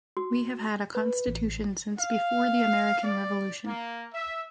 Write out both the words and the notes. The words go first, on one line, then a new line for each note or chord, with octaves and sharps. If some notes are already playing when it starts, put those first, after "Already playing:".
We have had a constitution since before the American revolution.
F#4
B4
A1
F5
D5
A#3
E5